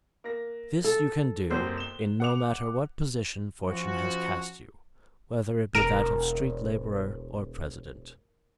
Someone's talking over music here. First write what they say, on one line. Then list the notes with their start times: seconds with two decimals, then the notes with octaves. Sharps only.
This you can do in no matter what position fortune has cast you, whether it be that of street laborer or president.
0.24 A#3 A#6
0.84 A4
1.50 F#1 C3 F#3 C5
1.77 E7 G7
2.20 F#5 D6 F7
3.67 F3 C#4 F#4
5.75 E1 A#4 D7